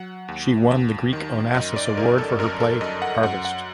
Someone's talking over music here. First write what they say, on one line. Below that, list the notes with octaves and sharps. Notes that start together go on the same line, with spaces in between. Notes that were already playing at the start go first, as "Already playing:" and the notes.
She won the Greek Onassis Award for her play "Harvest".
Already playing: F#3 F#5
D#2
D#2
D#3
F#2 D#5
D5
G1 A#4
A4
F#2 A#4
A4
F#2 D#5
F#5
F#2 F#5
F#5